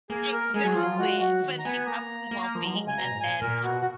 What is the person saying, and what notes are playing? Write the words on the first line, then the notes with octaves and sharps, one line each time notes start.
Exactly, but, she probably won't be, and then,
A#3 G#4
A#4
G#3 G#4
F#3
F3 F4
F#3
G#3 F#4
F#3 F#4
D#3
A#5
B3 G#5
A#3 A#5
A#3
F3
F#3
G#3
C#3 G#5
B2 A#5
G#2
A#2 G#5
A#2 A#4
B2 F#4
F#4